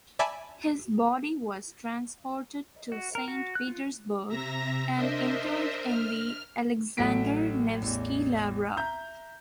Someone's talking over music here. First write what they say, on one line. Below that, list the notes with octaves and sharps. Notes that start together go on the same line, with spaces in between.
His body was transported to Saint Petersburg and interred in the Alexander Nevsky Lavra.
D5 E5 G#5 A5 B5
F#4
A#4
F#4
F#6
F4
C3 E5 A#5 A#6
D4 A#4 C5 D#5 E5
F6
A1 F#3 A3 F#5 B6 D7
A1 E2
E5 A#5 G6